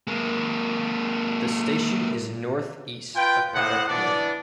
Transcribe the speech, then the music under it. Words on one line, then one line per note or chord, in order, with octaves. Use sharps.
The station is north east of Paddock Wood.
G#3 A#3
F4 B4 G5
A2 C5 D#5 F#5
E3 B3 D4 D5